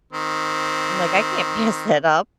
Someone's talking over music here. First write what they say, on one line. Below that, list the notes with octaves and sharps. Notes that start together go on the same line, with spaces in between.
I'm like, "I can't pass that up."
D#3 C4